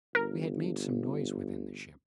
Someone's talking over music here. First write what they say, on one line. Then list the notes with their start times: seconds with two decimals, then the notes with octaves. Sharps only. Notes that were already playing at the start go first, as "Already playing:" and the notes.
We had made some noise within the ship.
0.15 G1 A#4